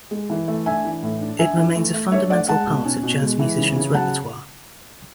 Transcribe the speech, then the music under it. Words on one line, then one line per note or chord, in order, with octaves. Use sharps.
It remains a fundamental part of jazz musicians' repertoire.
G#3
E3
A3
D4 E5 G#5
E3
A2
D4
D4 E5 G#5
E3
A3
A3
D4 C#5 E5
A3 D5 F#5
G#3 F#5 A5
B2
C#4
B2
G#3
E3
C#3
C#3
F#3 F#5 A5